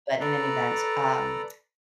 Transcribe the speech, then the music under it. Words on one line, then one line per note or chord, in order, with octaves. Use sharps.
But in an event, um,
A4 B4 D5 A#5